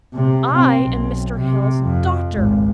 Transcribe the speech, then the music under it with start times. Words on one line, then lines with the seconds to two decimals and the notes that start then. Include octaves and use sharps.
'I am Mr. Hale's daughter.
0.14 C3
0.53 C3 C4
0.84 B1
1.39 C3
1.82 F2
2.33 G#1 C#2